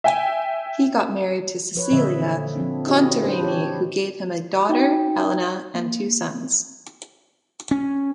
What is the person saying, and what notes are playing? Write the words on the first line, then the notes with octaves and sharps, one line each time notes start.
He got married to Cecilia Contarini who gave him a daughter, Elena, and two sons.
E5 G5 G#5
F3 B4 C#5
A#2 D3 F3 D#5 E5
F3 C4 D4
E4 F#4 G4 D#5
D4 B4 C5
G4 C#5
D#4 F#4 G5
A#3
C#4